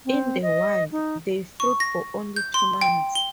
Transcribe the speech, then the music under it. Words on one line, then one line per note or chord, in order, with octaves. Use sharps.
In the wild, they fruit for only two months.
C4
D#5
D#4
C#6
A#6
G6
C6
G5
G7